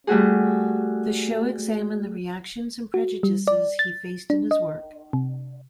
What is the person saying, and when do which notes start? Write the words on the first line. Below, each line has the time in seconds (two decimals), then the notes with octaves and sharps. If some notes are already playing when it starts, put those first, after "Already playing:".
The show examined the reactions and prejudices he faced in his work.
0.07 G3 A3 F#4 G#4
2.94 F#4
3.23 G3
3.48 D5
3.79 A6
4.30 D4
4.51 D#5
5.13 C3